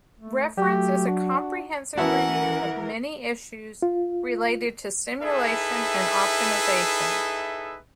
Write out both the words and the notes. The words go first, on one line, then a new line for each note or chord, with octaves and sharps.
Reference is a comprehensive review of many issues related to simulation and optimization.
A3
F#3 A3 G4
D4 F#4
E3 B3 C#4 E4 F#4 A#4 F#5 A5
F4
D#4 E4 G#4 A4 B4 E5